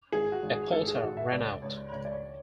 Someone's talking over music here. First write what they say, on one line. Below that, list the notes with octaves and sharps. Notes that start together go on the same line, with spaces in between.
A porter ran out.
G#1 G#4
F#4
G#1
G#4
G#1 A4
G#4
G#1 F#4
E5
C#2 D5
C#2 C#5
C#2 C#5
D5
C#5